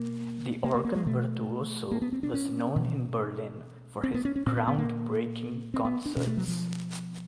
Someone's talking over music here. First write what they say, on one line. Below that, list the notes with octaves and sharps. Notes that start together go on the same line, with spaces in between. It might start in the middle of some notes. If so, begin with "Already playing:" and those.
The organ virtuoso was known in Berlin for his "groundbreaking" concerts.
Already playing: B2 A#3
A#3
A#3
A#3
G#3
B2 A3
A#3
B3
C4
D4
C#4
B2
C4
B3
C#4
C#4
A#2 C4
B3
B3
A#3
C4
B3
D4
B2 C#4
A3
F#3
F3